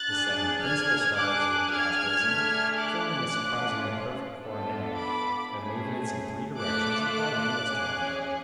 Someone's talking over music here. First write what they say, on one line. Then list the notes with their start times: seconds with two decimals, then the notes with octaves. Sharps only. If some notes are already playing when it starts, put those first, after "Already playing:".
The seven principle stars of the asterism, forming a surprisingly perfect coronet, have movements in three directions at right angles to one another.
Already playing: F#6 A6
0.09 D4 G#4
0.63 F6 G#6
1.17 D4 G#4 D6 F#6
1.71 F6 G#6
2.25 A3 D4 G#4
2.79 D6 F#6
3.33 A3 C#4 F4
4.42 B3 D4 F4 A4
4.96 B5 D6
5.50 A3 C#4 G#4
6.58 A3 F4 A4 D6 F#6
7.12 D6 F#6
7.67 C#4 G#4